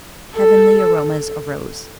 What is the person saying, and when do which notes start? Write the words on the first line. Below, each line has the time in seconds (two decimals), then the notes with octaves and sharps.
Heavenly aromas arose.
0.36 A4